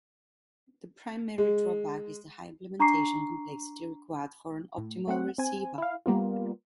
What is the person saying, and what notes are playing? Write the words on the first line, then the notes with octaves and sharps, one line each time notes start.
The primary drawback is the high implementation complexity required for an optimal receiver.
G#3
D4 A#5 C#6 D6 C7
A2
A3 C4 F#5
C4 G#5
E4 F5
G3 A#3 B3 F4